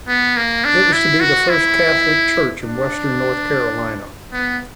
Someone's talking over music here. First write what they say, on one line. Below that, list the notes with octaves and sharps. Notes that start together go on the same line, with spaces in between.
It was to be the first Catholic church in Western North Carolina.
B3
A#3
D4
E4
F#4
E4
D4
B3